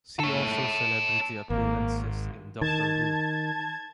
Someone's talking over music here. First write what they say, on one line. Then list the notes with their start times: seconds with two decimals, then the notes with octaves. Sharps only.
See also Celebrity appearances in Doctor Who.
0.20 A4 C#5
1.50 G#1 A#3
2.61 D#3 A5 G#6